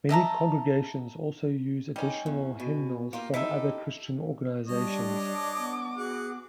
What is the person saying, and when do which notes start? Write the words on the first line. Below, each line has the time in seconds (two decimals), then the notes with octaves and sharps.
Many congregations also use additional hymnals from other Christian organizations.
0.09 D#5 E5 A5 A#5
1.96 G3 C#4 D#4
2.26 E2
2.60 B2
3.13 A#3 F4 G4
3.34 D#4 E4 G4 A4 E5
4.68 G3 D4 C#5 D#5
5.04 D6
5.57 B3
5.96 F#4 G#4 F#5